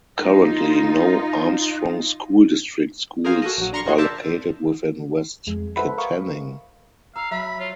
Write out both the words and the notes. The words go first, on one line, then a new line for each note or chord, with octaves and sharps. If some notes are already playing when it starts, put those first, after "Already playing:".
Currently, no Armstrong School District schools are located within West Kittanning.
D#4 F4
G#4 A#4 C5 F5 G#5
F#4 A4 D#5
A#1 F#3
D4 A#5 C6 C#6 F6
G1 G2 F3 F#4 G#4
A#4 C5 D5 E5 A5
F2 G#3
A4 B4 C5 E5 F#5 B5
A#4 D#5 F5 C#6
F5 A#5 E6
F#3 E5 B5
F4 C#5